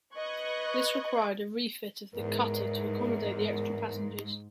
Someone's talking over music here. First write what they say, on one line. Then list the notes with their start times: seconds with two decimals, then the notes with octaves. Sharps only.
This required a refit of the cutter to accommodate the extra passengers.
0.16 B4 D#5 C#6 F#6 G#6
2.15 E2 G#2 A#4